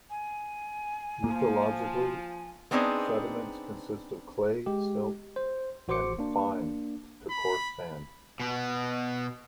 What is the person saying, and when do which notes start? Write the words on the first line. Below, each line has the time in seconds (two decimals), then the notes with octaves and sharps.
Lithologically, sediments consist of clay, silt and fine to coarse sand.
0.10 G#5
1.24 F3 A#3
2.71 B3 C4 D4 D#4 G#4 C5
4.66 G#3 G4
5.36 C5
5.88 A1 F#4 C5 C6 D6 C#7
6.19 A#3 D4
7.30 B5
8.40 B2 B3